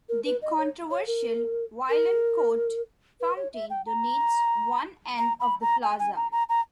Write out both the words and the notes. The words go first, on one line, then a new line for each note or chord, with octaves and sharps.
The controversial Vaillancourt Fountain dominates one end of the plaza.
A#4
B4
D#5
C#5
C#5
A#4
A#4
B4
C#5
E5
G5
A#5
A#5
B5
A#5
G#5
G#5
A#5
A#5
A#5